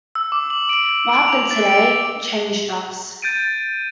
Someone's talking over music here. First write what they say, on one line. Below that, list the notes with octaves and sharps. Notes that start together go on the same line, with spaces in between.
What happened today changed us.
E6
D6
F#7
D7
D7
F7
A6
D7
G6 A6 D7 D#7